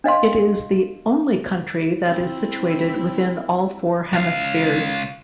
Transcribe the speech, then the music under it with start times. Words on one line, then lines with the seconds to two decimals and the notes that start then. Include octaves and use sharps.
It is the only country that is situated within all four hemispheres.
0.04 D4 D#5 F5 C6
2.07 C4 E4
4.13 C#2 F5